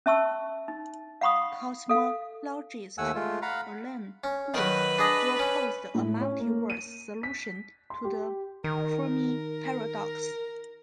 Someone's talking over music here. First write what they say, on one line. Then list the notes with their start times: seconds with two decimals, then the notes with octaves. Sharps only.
Cosmologist Alan Guth proposed a multi-verse solution to the Fermi paradox.
0.06 C#4 E5 A5 C#6 E6
0.68 D#4
1.21 F5 F#5 B5 C#6 D#6
1.89 A4 F5
2.98 D#2 A3 F#5 G#5 E6
3.15 G#3 A3 F4
3.42 F5 F#5 A#5 B5
4.24 C#4
4.54 D#3 F#3 B4
4.98 D4 G#4 D#5
5.39 C#4
5.95 A2
6.21 C#4
6.39 A#3
6.70 D#7
7.23 B6
7.90 C6
8.04 G4
8.64 D#3 A#4